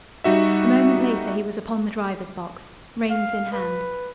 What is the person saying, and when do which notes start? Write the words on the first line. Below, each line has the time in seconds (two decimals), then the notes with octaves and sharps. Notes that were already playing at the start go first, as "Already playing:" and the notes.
A moment later he was upon the driver's box, reins in hand.
0.24 G3 D#4 F#4 E5
3.10 F5
3.52 B4